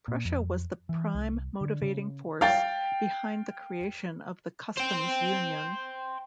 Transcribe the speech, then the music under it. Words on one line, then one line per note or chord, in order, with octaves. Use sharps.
Prussia was the prime motivating force behind the creation of the customs union.
A#2
F2
E3
C2
D3
C#3
F5 G5 A6
C5 G5